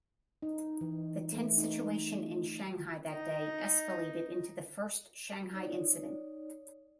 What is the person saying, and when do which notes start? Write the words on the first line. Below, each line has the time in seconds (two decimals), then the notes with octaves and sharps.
The tense situation in Shanghai that day escalated into the first Shanghai incident.
0.42 D#4
0.81 E3
1.32 A3
1.58 D#4
3.10 D#4
5.53 D#4 C#5 D5